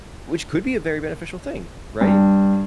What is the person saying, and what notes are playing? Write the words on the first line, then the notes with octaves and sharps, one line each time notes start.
which could be a very beneficial thing, right?
G2